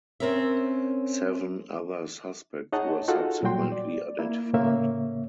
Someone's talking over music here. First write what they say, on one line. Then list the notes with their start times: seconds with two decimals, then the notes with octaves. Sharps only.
Seven other suspects were subsequently identified.
0.20 C4 C#4 A#4 C#5 E5
2.72 D#4 G#4 C#5 D#5 F#5 A5
3.08 D#4 F4 F#4 G#4 A4 F#5
3.43 A#2 F#3 G3 F#4 G5 C6
3.72 D5
4.19 A#3 E4
4.53 A2 C#3 A#3 C#5 E5